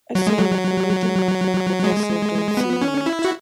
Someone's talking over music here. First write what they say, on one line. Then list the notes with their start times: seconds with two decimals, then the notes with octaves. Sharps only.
I see an affirmative nod from Professor Donceel-Voute.
0.15 F#3
0.27 G#3
0.39 F#3
1.84 G#3
2.57 B3
2.82 C#4
3.06 E4
3.25 F#4